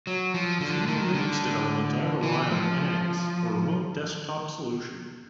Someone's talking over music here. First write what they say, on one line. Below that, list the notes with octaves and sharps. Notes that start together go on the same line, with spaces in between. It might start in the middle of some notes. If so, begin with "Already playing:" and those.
To do Linux development, I rely on NX, a remote desktop solution.
F#3
F3
D3
D#3
D3
E3
F3